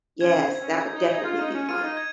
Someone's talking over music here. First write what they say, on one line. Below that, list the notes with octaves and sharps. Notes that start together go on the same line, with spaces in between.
Yes, that would definitely be fun.
C#4 G#6
C4
G#6
C#4
D#4 G#6
D#4
D#4 G#6
F4
D#4 D#7
C#4
F4 D#7
D#4
G#6